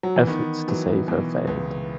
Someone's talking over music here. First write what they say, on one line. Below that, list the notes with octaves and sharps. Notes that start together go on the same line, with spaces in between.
Efforts to save her failed.
F#3
E3
D#3 B3
E3 F#3
B2 E3
C#2 E3